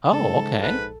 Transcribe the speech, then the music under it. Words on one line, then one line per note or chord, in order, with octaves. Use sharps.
Oh, okay.
G#2 C#3 G#3 A4
A#1 B4